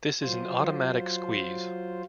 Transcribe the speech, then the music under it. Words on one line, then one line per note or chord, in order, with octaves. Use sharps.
This is an automatic squeeze.
F#3 F4 C5